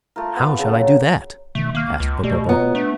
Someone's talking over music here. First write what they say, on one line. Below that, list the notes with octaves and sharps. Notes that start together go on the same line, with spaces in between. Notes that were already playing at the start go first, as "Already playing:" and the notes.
"How shall I do that?" asked Popopo.
A3 F4 A#4
B3
C#3 A4 A#4
F#3
B2 D#3 A3
C2 A#3 F6
C#2
B2 A3 G4 D5
B3 F4 C#5 A#5
A3 D4